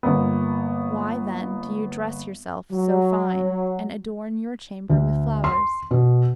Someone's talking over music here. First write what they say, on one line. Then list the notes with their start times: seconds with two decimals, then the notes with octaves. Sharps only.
"Why, then, do you dress yourself so fine, and adorn your chamber with flowers?"
0.03 G1 A#3 B3
2.71 F#3
4.90 D2
5.44 C6
5.91 B2